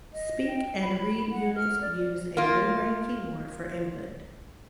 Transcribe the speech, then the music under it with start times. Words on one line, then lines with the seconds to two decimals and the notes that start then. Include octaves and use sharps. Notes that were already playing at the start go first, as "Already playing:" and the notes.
Speak and Read units used a membrane keyboard for input.
0.14 D#5
0.47 G5
0.81 B5
1.31 F#5
1.56 F6
1.81 D5
2.37 A#3 F4